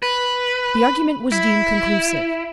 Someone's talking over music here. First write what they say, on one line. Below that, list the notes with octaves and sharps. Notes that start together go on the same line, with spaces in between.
The argument was deemed conclusive.
B4
E4